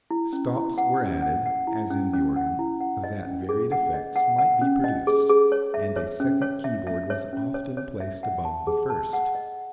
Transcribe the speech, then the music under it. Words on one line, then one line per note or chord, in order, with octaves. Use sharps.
Stops were added, as in the organ, that varied effects might be produced, and a second keyboard was often placed above the first.
E4
C#4
E4
F#5
C#4
F#5
F#5
E4
C#4
C#4
F#5
E4
F#5
D#5
C#4
G#4
F#5
D#5
F#5
F#5
C#4
D#5
G#4
G#4
C#5
E5
C#5
C#4
C#5
E5
E5
C#5
C#4
C#5
C#5
E5
F#5
A5
G#4
A5
F#5
D#5